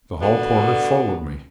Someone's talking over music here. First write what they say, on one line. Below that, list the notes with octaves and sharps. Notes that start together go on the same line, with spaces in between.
The hall porter followed me.
D3 B3 F#4 D5